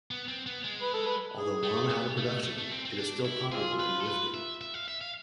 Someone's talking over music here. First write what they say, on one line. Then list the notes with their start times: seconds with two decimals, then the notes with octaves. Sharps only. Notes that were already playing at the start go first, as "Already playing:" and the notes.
Although long out of production, it is still popular in drifting.
0.11 B3
0.28 C4
0.47 B3
0.64 G#3
0.82 B4
0.94 A4
1.07 B4
1.37 G#4
1.63 A3
1.90 B3
2.17 A3
2.44 A3
2.58 A3
2.71 C4
2.85 C4
2.99 D4
3.25 E4
3.52 G#3 C4 F4 G#4
3.80 B4
4.00 A4
4.07 B4
4.34 E5
4.61 E5
4.74 F5
4.88 E5
5.01 F5